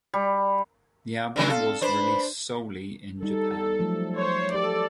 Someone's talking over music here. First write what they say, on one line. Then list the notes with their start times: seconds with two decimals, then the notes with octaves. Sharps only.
The album was released solely in Japan.
0.14 G3
1.36 D3 D#3 F#3 A3 D4
1.50 C4 A4 F5
1.81 D4 B4 C5 B5
3.23 G3 D#4 A4
3.79 F3 F#3 A3
4.16 C5 C#5
4.54 G4 A4 D5